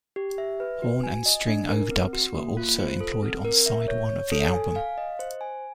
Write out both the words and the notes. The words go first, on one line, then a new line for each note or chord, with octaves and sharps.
Horn and string overdubs were also employed on side one of the album.
G4
E5
B4
F#4
G#5
D#5
D4
A#4
C4
F#4
A#3
F4
C5
A4
C4
A#4
E5
C#5
C#5
A4
G#5
F5
D#5
C5
G#5